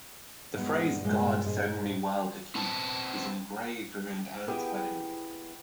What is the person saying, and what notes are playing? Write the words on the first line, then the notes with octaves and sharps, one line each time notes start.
The phrase "God send me well to keep" was engraved around Anne's wedding ring.
G2 A#2 G#3 B3 D#4
C3 G#3
G#4 C5 D#5
C4 B4 A5
B3 E4 G4 G#4 G5